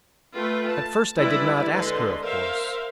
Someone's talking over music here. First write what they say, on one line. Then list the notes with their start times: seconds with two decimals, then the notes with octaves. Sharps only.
At first I did not ask her, of course.
0.33 A3 F4 B4 G5
0.70 A5
1.18 G3 G#3 E4 G4 B4 D5
1.71 D3 G#3 D4 B4 C6
2.22 A#4 C5 E5 F5